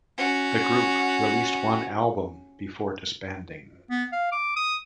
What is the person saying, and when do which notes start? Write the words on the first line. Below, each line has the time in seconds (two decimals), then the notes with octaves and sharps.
The group released one album before disbanding.
0.17 C#4 F#4
3.90 B3
4.12 F5
4.32 D6
4.56 D#6